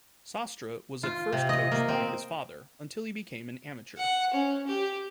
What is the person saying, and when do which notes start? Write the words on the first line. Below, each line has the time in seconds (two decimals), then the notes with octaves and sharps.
Sastre was at first coached by his father, until he became an amateur.
1.03 F4
1.33 C3
1.49 D#5
1.71 A#3
1.88 C4
3.98 F#5
4.33 C#4
4.67 G4